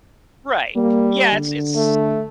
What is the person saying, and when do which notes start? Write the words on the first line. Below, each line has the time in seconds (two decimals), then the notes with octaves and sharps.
Right. Yeah, it's it's
0.76 G3 A#3
1.32 D3
1.75 A3